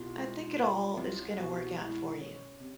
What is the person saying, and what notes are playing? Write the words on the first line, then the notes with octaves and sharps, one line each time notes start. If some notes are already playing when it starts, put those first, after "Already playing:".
I think it all is gonna work out for you.
Already playing: C2 B2 F4
G#3
C#4
C2
B2 F#4
G#3 E4
C#4
C3